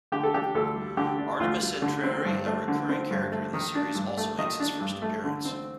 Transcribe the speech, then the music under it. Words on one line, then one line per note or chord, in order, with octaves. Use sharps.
Artemis Entreri, a recurring character in the series, also makes his first appearance.
D3 G4
A4
D4 G4
D2 A4
G3
D3 G4
D4
D2 F4
G3
D3
C4
G2
A3
D3
C4
G2
A3
D#3
D4
G2
A3
D#3 D#5
D4
G2
A3
D3
C4